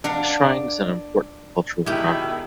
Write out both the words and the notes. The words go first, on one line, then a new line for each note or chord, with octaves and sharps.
The shrine is an Important Cultural Property.
D4 A#4 F5 F#5
B2 D#3 G#3 E4 G4